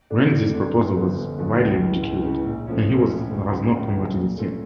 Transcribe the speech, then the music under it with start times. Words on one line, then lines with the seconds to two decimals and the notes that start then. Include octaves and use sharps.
Renzi's proposal was widely ridiculed, and he has not promoted it since.
0.10 D3 A3 D4
0.31 F2
0.53 D3 A3 D4
0.74 G1
0.96 G2 D3 F3
1.17 G1
1.38 G2 D3 F3
1.60 C#2
1.80 C#3 E3
2.02 C#2
2.23 C#3
2.28 E3
2.45 A#1
2.67 A2 F3 C#4
2.89 A#1
3.09 A2 F3 C#4
3.31 C#2
3.51 C#3 F3
3.74 C#2
3.95 C#3 F3
4.16 A#2
4.37 A3 C#4 F4 A4